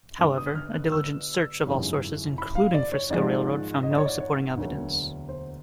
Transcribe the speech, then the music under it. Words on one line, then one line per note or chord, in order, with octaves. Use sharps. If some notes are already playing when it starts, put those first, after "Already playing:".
However a diligent search of all sources including Frisco Railroad, found no supporting evidence.
G1 G2 D3 D6
D#6
F6
F#6
E6
G#1 F#2 C#3 E3 G3
B5
F5
D5
C#5
G#1 G#2 F3 G#3 D5
D#5
D5
C#5
D5
C#5
E1 D2 D3 F#3 A#3
C5